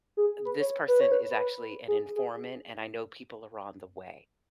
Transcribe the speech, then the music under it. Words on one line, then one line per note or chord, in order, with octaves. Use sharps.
this person is actually an informant, and I know people are on the way."
G#4
B4
C#5
B4
C#5
B4
B4
G#4
G#4